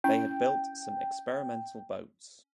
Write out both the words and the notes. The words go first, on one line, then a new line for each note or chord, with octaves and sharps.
They had built some experimental boats.
C#4 E4 G5